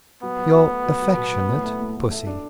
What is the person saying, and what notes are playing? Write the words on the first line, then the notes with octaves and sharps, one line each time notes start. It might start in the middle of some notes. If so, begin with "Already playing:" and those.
Your affectionate Pussy.
F#3 B3
F#3
F#4
A3
F#3
F#3
B2
F#3
A2
A3
A2
A2
A3
D4